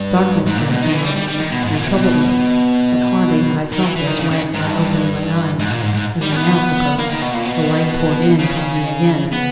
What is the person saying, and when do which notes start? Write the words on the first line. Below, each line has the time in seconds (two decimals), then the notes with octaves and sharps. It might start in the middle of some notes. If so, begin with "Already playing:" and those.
Darkness then came over me and troubled me, but hardly had I felt this when, by opening my eyes, as I now suppose, the light poured in upon me again.
Already playing: G2
0.46 G#2
0.58 A#2
0.70 B2
0.82 D#3
0.93 E3
1.05 G3
1.17 G3
1.28 G3
1.39 D#3
1.51 B2
1.63 G#2
1.74 A#2
1.86 B2
3.72 D#3
3.84 E3
3.96 E3
4.07 D#3
4.20 C#3
4.31 C#3
4.54 G#2
4.66 G2
5.59 G#2
5.71 A#2
5.82 G#2
5.94 G#2
6.21 G3
6.32 C#4
6.36 B3
6.98 A#3
7.10 D#3
7.22 B2
7.34 A#2
7.45 B2
8.39 C#3
9.32 B3